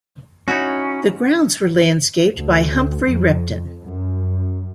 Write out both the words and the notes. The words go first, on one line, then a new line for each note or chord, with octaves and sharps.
The grounds were landscaped by Humphry Repton.
C#4 D#4 E4 F#4
D2
F2
F#2